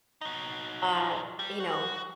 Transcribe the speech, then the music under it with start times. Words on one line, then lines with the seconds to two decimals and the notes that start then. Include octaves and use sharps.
uh, you know
0.21 F#3 D#4
1.39 G3
1.60 F#4